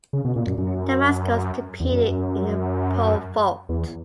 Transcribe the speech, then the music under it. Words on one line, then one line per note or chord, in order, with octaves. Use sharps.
Damaskos competed in the pole vault.
C#3
B2
A#2
F#2
F#2
E2
F#2
E2